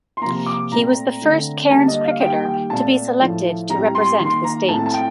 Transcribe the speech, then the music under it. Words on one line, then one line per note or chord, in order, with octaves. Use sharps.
He was the first Cairns cricketer to be selected to represent the State.
C6
C3 F3 A#3 A#5
D6
A#2 A3 C4 A#5
D3 A3 C4
D3 G3 A#3 A5
D#5
F5
D#3 G3 A#3 G5
G5
A#2 A3 C4 A5
A2 F3 A3
A2 G3 C4 A#5
C6
D#3 A#3 C6
A#5
A2 A3 C4 A5
A5
G5